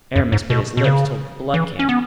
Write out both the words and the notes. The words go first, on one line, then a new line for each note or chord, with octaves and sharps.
Aramis bit his lips till the blood came.
F#2
G#2
B2
B2
C#3
E3
C#4
B3